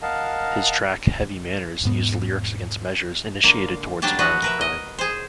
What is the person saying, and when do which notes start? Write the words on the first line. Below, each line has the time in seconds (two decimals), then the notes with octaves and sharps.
His track "Heavy Manners" used lyrics against measures initiated towards violent crime.
0.02 A#4 D#5 F5 F#5 A5
1.83 E1 G#2 B3
3.44 D3 A#3
4.02 F#3 G3 D4 G4 A5
4.19 F3 F#4 B4 D#5
4.42 A#4 B4 E5
4.61 D#5
4.98 G#4 C5